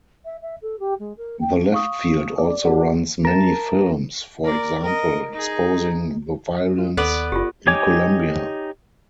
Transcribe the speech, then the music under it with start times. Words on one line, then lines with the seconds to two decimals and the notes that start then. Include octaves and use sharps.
The Left Field also runs many films, for example exposing the violence in Colombia.
0.25 E5
0.42 E5
0.62 A4
0.79 G4
0.99 G#3
1.17 A#4
1.40 G5
1.72 F5 C#6 D#6
2.38 D5
2.65 F#4 A#4 F#5
3.25 A#4 A5
4.44 A#4 D5
4.82 A#4 D#5
5.32 D#4 G#4
6.78 F4
6.97 D#2 B3 A4 B4 D5
7.32 F#1 F4 G4
7.67 D#4 G4 C#5 G#5 D6